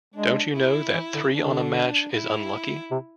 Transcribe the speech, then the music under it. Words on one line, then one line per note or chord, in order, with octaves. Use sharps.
Don't you know that three on a match is unlucky?
G#3 D4
E4
E3
D3
D3 D4
E4
C3